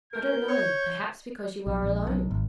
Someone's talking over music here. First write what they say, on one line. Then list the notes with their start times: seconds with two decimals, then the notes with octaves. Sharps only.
"I don't know; perhaps because you are alone."
0.13 D2 A#4 G6
0.48 C#5
1.67 B1
1.83 A#1
2.07 B1
2.31 G#1